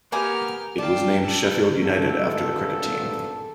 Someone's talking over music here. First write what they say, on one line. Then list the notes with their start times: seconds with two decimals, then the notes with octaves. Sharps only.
It was named Sheffield United after the cricket team.
0.12 A#3 B3 G4 G#5 A#5 F6
0.78 D5 F5 G5 A5
1.24 A4
1.82 G#1 G2 A4